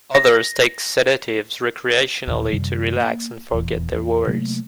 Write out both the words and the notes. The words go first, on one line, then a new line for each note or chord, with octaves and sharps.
Others take sedatives recreationally to relax and forget their worries.
A#6
D#2 A#2 D#3
F#2 C3 D#3 G3
A#3
D#1 E2
E2
C3 F#3 A3 A#3